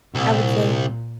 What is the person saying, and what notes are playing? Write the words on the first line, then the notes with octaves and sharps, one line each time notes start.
I would say
C2 A#2